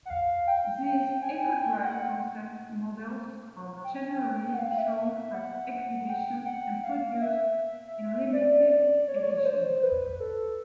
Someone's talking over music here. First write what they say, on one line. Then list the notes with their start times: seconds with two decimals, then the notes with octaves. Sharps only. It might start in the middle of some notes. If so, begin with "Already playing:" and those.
These Eco-Drive Concept Models are generally shown at exhibitions and produced in limited editions.
0.05 F#5
0.10 F5
0.47 G5
0.85 G5
1.22 G#5
1.60 G5
1.85 F#5
3.84 G5
4.54 F#5
4.59 F5
4.78 E5
4.96 E5
5.15 E5
5.34 F#5
5.72 F#5
6.09 G5
6.46 F#5
6.84 F5
7.21 E5
8.33 D5
8.70 D5
9.08 C#5
9.16 D5
9.23 C#5
9.30 D5
9.38 C#5
9.45 C5
9.83 B4
10.20 A4